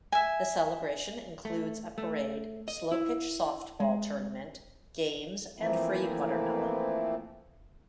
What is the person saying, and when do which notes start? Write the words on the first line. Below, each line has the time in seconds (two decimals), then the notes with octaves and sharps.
The celebration includes a parade, slow pitch softball tournament, games and free watermelon.
0.12 E5 G#5
1.45 A3
1.98 A3
2.68 D#5
2.92 E4
3.80 G#3
5.57 E3 F3 A3 A#3 C4 E4